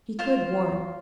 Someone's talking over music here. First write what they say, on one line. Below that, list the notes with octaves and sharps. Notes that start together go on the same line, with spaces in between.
He could warn.
F4 C5 F5